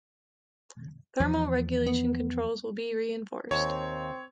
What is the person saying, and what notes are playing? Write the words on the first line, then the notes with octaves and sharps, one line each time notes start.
Thermal regulation controls will be reinforced.
E2 F3
B3
D#2 C4 C#5